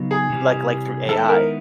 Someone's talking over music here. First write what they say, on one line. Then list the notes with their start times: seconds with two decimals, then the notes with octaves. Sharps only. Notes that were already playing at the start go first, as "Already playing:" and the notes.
Like like, through AI.
Already playing: C#3 F#3 B3 D#4
0.11 G#4
0.30 C3 E3 G3
1.09 D#3 G#3 B3 E4 A4
1.29 A#4